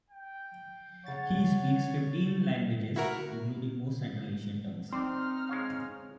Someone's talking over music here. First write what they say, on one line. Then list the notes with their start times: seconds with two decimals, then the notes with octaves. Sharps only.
He speaks fifteen languages, including most Central Asian tongues.
0.10 G5
1.06 C#3 C#5 F#5 A6
2.96 E4 F#4 A#4
4.93 C4 D#4 D5 C6 F6
5.49 G#3 C#5 F5